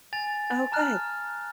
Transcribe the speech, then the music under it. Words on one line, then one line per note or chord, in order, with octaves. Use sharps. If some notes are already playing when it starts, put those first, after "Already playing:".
Oh, good.
G#5 A6 F7
A5 A#5 F6 F#6